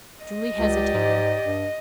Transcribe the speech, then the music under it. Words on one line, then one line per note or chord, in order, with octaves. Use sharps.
Julie hesitated.
D#5
C#2 G4 D5
G#2
G2